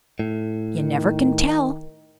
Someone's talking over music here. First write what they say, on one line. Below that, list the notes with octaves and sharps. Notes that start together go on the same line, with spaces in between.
You never can tell.
A2
D#3